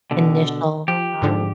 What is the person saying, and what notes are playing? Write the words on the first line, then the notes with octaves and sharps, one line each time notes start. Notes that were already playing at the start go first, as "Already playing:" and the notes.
initial, um,
B2 D3
F3 G4
G#2 D3 F3